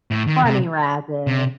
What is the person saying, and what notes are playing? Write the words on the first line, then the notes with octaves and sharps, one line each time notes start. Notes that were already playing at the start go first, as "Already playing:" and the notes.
bunny rabbits,
A2
D#3
C3
C3